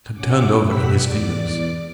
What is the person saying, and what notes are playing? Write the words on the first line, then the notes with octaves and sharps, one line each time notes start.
It had turned over in his fingers.
C#4 F#5 D6
B2 G4 F#5 E6 B6
E2 D5 D6